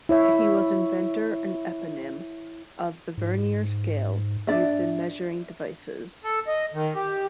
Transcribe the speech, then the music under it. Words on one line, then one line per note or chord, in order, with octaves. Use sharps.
He was inventor and eponym of the vernier scale used in measuring devices.
E4 C#5 E5
G#2
D4 D5 E5
A4
D#5
D#3
G4